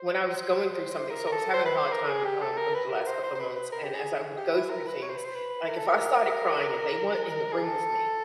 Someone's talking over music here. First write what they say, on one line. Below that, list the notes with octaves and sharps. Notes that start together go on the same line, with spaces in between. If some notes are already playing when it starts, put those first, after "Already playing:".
when I was going through something so, I was having a hard time, um, over the last couple of months, and as I would go through things, like, if I started crying and they weren't in the room with me,
Already playing: C5
A#4
A#4
A4
C5
B4
C5
A#4
G#4
G4
A4
A#4
B4
A#4
C5
C5
C5
B4
B4
A#4
G4
G#4
G#4
G4
E4
A#4
B4
C#5
C5
B4
C5
B4
A#4
A4
A#4
G#4
A4